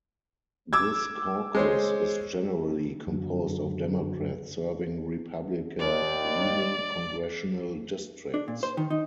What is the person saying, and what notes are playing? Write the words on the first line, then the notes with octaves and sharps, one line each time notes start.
This caucus is generally composed of Democrats serving Republican leaning congressional districts.
D6 E6 G#6
G#3 C5 C#5
F#2 D3 F#3
D#2 D5
D4
A#2
C5
D#3
D#4